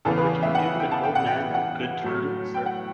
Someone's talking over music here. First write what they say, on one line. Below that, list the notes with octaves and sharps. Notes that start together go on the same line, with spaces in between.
Would you do an old man that good turn, sir?
E2 C#3 E3 B3 A4
B4
E5
F#5
G5
A5
G5
F#5
G5
F#5
A2 F#3 A3
G5
F#5